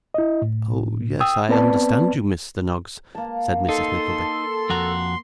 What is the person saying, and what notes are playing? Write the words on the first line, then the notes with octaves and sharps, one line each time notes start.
'Oh yes, I understand you, Mr Noggs,' said Mrs Nickleby.
E4 D#5
A2
G5 D#6 E6
B3 C4 B4 D5 A5
A#3 A5
D#4 A4 C6
F2 F#4 A#5